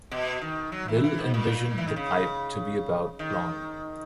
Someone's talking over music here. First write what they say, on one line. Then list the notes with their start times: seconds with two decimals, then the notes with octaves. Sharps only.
Bill envisioned the pipe to be about long.
0.11 B2
0.41 D#3
0.72 F#3
0.88 E3
1.04 E3
1.19 G#2
1.34 A#2
1.78 E3
1.87 D#3
1.96 C#3
3.19 D#3